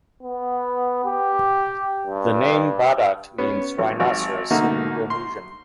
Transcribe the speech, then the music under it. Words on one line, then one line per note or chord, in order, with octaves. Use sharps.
The name "Badak" means rhinoceros in Indonesian.
B3
G4
G2
B3 C#4
G#1
G#1
B2 D3 A3 A#3 D#4 F#4
C6